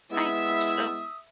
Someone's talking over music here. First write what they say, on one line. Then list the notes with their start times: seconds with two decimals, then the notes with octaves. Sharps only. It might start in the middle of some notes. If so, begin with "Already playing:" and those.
I hope so.
0.11 G#3 B3 E4 E5 D#6 E6